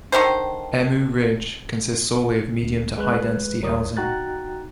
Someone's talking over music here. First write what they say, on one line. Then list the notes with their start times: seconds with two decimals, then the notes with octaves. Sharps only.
Emu Ridge consists solely of medium to high-density housing.
0.12 D3 D#3 G4 C5
2.63 D2
2.98 G#3 B4 F#6
3.62 D#2 G3 A#4 C#5 D5 D#6
3.97 D#4 F#4 G5 A#5 F#6 A6